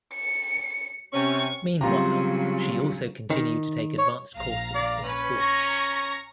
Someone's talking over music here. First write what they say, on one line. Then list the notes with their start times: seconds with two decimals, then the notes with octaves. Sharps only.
Meanwhile, she also continued to take advanced courses in school.
0.13 C#7
1.13 C3 C#4 C#6
1.81 C#3 F#3 G3 C4 F4 G4 A#5
3.30 D#3
3.98 C#5
4.35 A#1 F5 A#5
4.75 D5
5.04 C#4 B4
5.37 A#5 C#6 A#6